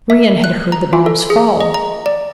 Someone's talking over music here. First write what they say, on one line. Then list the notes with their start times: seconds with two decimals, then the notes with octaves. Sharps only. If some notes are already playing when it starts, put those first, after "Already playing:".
Brion had heard the bombs fall.
0.10 E5
0.44 F#6
0.72 A#5
0.93 F4
1.06 A4
1.30 G#4
1.60 D#5
1.74 A#5
2.06 D5